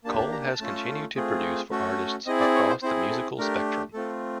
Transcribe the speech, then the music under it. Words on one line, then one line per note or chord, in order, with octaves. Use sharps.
Cole has continued to produce for artists across the musical spectrum.
A#3 D4 G4 A5
A5
A#5
A5
A3 C#4 F4 A4
A3 C4 F4 G#4
A3 C#4 F#4 A4
C4 E4 G#4 D#5
D5
C#5
C5
C4 E4 G#4 C5
A4
A3 D4 G4 A#4
A3 C4 F4 A4